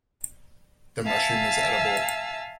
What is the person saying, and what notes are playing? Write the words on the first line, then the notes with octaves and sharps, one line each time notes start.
The mushroom is edible.
E5 F5 G#5 A5 E6